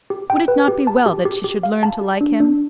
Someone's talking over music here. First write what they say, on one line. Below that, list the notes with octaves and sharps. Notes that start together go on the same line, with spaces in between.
Would it not be well that she should learn to like him?
G4
G5
B4
G4
A5
G4
G4
G4
F5
A5
G4
D4
D4